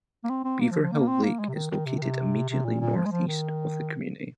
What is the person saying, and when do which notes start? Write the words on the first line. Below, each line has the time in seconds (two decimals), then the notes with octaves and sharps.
Beaverhill Lake is located immediately northeast of the community.
0.24 A#3
0.30 C4
0.44 C4
0.61 A#3
0.71 F3
0.82 F3
0.92 A#3
1.07 C4
1.24 A#3
1.39 G#3
1.48 C3
1.54 D#3
1.71 D#3
1.86 C3
1.97 D#3
2.02 C3
2.49 C3
2.65 A#2
2.80 A#2
2.96 F3
3.05 G#3
3.12 F3
3.27 D#3